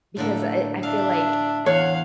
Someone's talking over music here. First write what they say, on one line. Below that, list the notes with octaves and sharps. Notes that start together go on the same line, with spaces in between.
because, uh, eh, I feel, like,
A2 D3 A3 A#3
D4 E5 F5
E2 C#5 F5 F#5